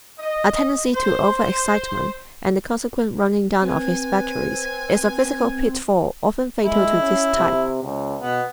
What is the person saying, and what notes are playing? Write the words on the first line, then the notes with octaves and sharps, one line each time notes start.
A tendency to over-excitement and the consequent running down of his batteries is a physical pitfall often fatal to this type.
D#5
C5
C4 B4 G#5
G#3 E4
C#4
C3
C#2
B2 B3